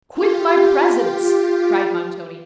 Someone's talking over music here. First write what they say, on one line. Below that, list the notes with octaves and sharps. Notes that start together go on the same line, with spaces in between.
'Quit my presence!' cried Montoni.
F4 G4